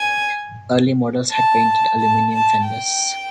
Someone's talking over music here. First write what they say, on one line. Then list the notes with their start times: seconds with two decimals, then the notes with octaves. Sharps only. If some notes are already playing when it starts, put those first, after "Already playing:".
Early models had painted aluminum fenders.
Already playing: G#5
1.31 A5
1.99 A5
2.31 A5
2.65 G5